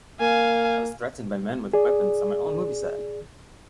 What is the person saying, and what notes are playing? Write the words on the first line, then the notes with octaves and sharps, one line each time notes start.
I was threatened by men with weapons on my own movie set.
A#3 F5 G#5
G#4 D5